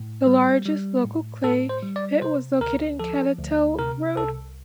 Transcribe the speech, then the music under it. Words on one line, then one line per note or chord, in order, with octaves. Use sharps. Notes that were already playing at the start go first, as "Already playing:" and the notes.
The largest local clay pit was located on Cattell Road.
Already playing: A2
G3
G3
A2
A2 A4
C5
G3
D5
C3 C5
D2 A#4
F3 A4
D2
C3 A#4
C2 A4